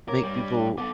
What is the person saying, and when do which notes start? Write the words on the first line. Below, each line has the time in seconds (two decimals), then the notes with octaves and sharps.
make people
0.08 A#4 C#5 D6
0.23 G2 G3
0.78 B3 A4 D6